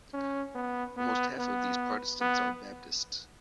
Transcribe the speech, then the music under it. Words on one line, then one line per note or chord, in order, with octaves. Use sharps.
Almost half of these Protestants are Baptists.
C#4
B3
B3
B3
B3